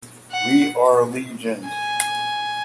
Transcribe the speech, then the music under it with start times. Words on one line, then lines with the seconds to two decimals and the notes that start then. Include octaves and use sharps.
We are Legion!
0.32 F#5
1.67 G#5